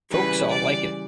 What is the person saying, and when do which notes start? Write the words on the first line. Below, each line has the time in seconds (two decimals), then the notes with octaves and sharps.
Folks all like it.
0.10 C#3 E3 G3 B4
0.49 D5